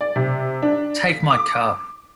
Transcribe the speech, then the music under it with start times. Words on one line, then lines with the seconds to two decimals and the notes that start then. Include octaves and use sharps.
Take my car.
0.01 D5
0.16 C3
0.62 D4
1.09 B6
1.31 D6